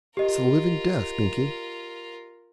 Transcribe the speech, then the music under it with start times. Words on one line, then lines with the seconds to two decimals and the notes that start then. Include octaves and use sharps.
It's the living death, Binkie.
0.17 F4 G4 A#4 D#5